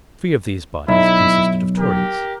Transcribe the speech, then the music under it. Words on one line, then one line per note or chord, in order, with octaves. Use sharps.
Three of these bodies consisted of Tories.
B1 E4
G4 A#4